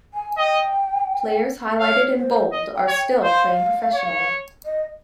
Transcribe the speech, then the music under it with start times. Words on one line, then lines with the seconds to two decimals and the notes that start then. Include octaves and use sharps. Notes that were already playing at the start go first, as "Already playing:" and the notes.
Players highlighted in bold are still playing professionally.
0.14 G#5
0.38 D#5 G5
1.80 C#5 F5
2.16 C5
2.52 D#5
2.76 G5
2.88 C#5
2.99 G5
3.23 C5 F5
3.94 C#5
4.66 D#5